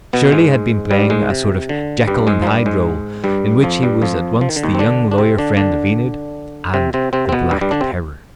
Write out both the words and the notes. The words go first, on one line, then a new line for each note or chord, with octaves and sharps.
Shirley had been playing a sort of Jekyll and Hyde role in which he was at once the young lawyer friend of Enid and the Black Terror.
B2 B3
G#2 G#3
G2 G3
G#2 G#3
C3
D3
G2 G3
G#2 G#3
F3
G2 G3
G#2 G#3
G2 G3
F2 F3
G2 G3
F2 F3
F3
D#3
D3
D#2 D#3
C4
D3 D4
D4
C3 C4
D3 D4
D3 D4
C3 C4
C3 C4
C3 C4
C4
B2 B3
G2 G3
G2 G3
D3 D4
C3 C4